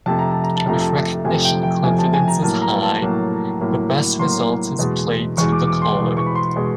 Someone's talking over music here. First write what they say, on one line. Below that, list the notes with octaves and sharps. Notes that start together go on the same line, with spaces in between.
If recognition confidence is high, the best result is played to the caller.
F2 C3 F3 A3 A5
A#5
A5
A#5
A5
F2 C3 F3 A3 A#5
A5
F2 C3 F3 A3 G#5
G5
G5
F2 C3 F3 A3 G#5
A5
G#5
A#5
A2 F#3 A#3 A5
A#5
A5
A2 F#3 A#3
A2 F#3 A#3
A2 F#3 A#3 C6
E2 B2 G#3
E2 B2 G#3 C#6
D6
D6
C6
E2 B2 G#3
C#6
B5
C6
B2 G#3